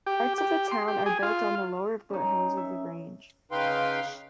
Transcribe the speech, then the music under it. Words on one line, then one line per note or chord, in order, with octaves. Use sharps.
Parts of the town are built on the lower foothills of the range.
G4
G4
C6
G4
G#4
F4
C#4 D#4
E5
C#3 D#4 B4 F5 G5 C6